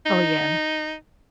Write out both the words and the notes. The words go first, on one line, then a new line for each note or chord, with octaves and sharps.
Oh, yeah.
D#4